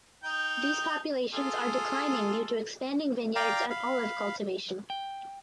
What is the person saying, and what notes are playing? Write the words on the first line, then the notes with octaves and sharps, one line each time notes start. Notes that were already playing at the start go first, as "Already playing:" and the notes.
These populations are declining due to expanding vineyards and olive cultivation.
D#4 G5
F4 G#4 A4
D5 F5 G5 A#5
F5 B5
G5